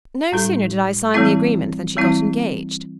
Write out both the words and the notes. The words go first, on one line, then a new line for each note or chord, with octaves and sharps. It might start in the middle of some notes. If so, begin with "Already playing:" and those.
No sooner did I sign the agreement than she got engaged.
A2 G3 D#4 A4
E3 G3 C4 E4
E3 G3 C4 E4